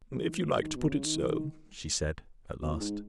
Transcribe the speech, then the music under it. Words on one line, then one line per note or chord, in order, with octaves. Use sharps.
"If you like to put it so," she said, at last.
C#3
D#3
E3
F#3
D#3
B2
C#3
D#3
E3
D#3
B2
A2
G#2